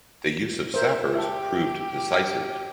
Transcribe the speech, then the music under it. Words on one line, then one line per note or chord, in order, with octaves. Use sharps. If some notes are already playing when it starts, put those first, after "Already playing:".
The use of sappers proved decisive.
A#4 C5 E5
G4 E5 A5